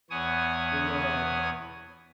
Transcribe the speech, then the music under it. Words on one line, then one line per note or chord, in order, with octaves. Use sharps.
Do, um
E2 B3 C#5 G#5 D#6